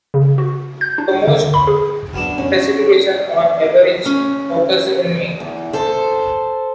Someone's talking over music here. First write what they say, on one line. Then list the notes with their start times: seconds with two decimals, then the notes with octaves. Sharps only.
The most precipitation on average occurs in May.
0.14 C#3
0.38 F#4
0.81 G6
0.98 D4
1.27 D3
1.54 B5
1.67 G#4
2.14 F#2 B3 D4
2.38 C#4
4.06 C#4
5.40 E2
5.73 A4 C5